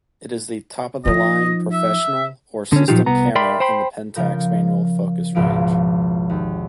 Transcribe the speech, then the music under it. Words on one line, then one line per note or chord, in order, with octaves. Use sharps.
It is the top-of-the-line "professional" or "system" camera in the Pentax manual focus range.
F3 D#4 D#5
E5
D3 C#4
A#2 F3 F#3 D#4 F4 G4
C2 B3 A#5
A#4 D5 E5 G5 B5 C6
C5 G5 B5 C6
C#3 F3 A#4 G6
G#1 C#2 B2 F3 D7
D#2